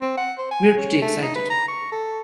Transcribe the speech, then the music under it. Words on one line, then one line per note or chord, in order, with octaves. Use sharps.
We're pretty excited.
C4
F#5
C5
G#5
C#4
A3
D#4
B4
A#5
C#6
A4